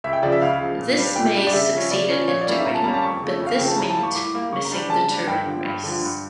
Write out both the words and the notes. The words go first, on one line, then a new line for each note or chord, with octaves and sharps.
This Mays succeeded in doing, but this meant missing the Turin race.
C#2 E5
G5
C#3 F3 D5
E5
C#2 F5
C#3 F3
A#2
G3 D4
A#2 G5
G3 D4
D5
C#3 E5
F3 C#4
C#3 D5
F3 C#4
A#2 C#5
D5
G3 A#3 C#4
E5
A#2 A#5
A5
G3 A#3 C#4 A#5
A5
F2 C#6
C#3 F3 A3
F2
F5
C#3 F3 A3 G5
A5
A2 A#5
A5
G3 A#3
C#6
A2 D6
G3 A#3
C#3 C#6
A#5
G3 D4
C#3 A5
G3 D4
G2 G5
D3 F3
G2
D3 F3
G2